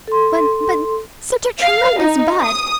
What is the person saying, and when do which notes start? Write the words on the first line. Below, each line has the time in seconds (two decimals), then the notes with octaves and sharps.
But--but--such a tremendous but!
0.08 A4 C6
1.60 F5
1.99 D#4
2.42 D#6